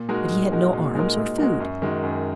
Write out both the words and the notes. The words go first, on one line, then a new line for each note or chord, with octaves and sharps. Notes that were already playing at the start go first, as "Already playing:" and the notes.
But he had no arms or food.
Already playing: A#2
G#3 D#4 F#4 A#4
A#2
G#3 D#4 F#4 A#4
A#2
G#3 D#4 F#4 A#4
A#2
G#3 D#4 F#4 A#4
F#2
D#3 G#3 F#4
F#2